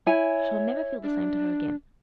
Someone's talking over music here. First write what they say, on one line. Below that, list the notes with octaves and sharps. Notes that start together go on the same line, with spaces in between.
I shall never feel the same to her again.
E4 C#5 G#5
D4